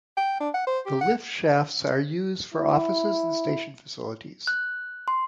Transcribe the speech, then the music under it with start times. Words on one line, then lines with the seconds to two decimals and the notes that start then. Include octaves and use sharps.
The lift shafts are used for offices and station facilities.
0.17 G5
0.41 D4
0.54 F#5
0.67 C5
0.86 G4
1.01 F#5
2.54 E4
4.47 F#6
5.08 C6